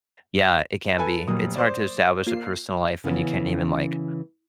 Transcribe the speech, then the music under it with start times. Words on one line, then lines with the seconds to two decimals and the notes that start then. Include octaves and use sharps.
Yeah, it can be. It's hard to establish a personal life when you can't even, like,
0.98 A4 B4 G#5
1.28 F1 A#2 F#3 A#3 D#6
1.56 C5 D5
2.27 A#3 F4 C7
3.04 C#3 E3 B3 C#4